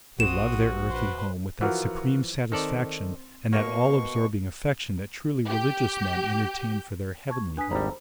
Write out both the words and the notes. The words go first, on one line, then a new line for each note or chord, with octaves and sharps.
They love their earthly home with that supreme satisfaction and that all-absorbing affection that truly religious men entertain for their heavenly home.
A#1 C4 F#4 D#6 E7
B4 C5
E3 F3 F4 F#4 A#4
D#3 C4 A4 D5
B2 A#3 C#6
G4 G6
A5 C#6 G#6
D4 B4 G#5 D#6 B6
G#1 G3 A4 C5 A#5 B5